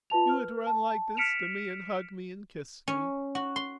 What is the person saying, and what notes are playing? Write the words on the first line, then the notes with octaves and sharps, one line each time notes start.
You would run like this to me and hug me and kiss me.
F4 B4 A5 F7
B4 F6
A5
F6 B6 C#7 D7 E7 F7
C#4
F#4
C6